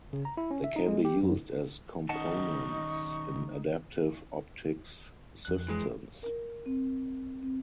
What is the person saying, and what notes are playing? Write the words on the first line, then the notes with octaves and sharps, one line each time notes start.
They can be used as components in adaptive optics systems.
C#3
A#5
E4
C#4
E5
D#4
G#3
G4
F#2
D#3 C#4 D#4 D#5 F#5 A5 C#6
F2 F#6
E3 G#3
A#4
C4
C4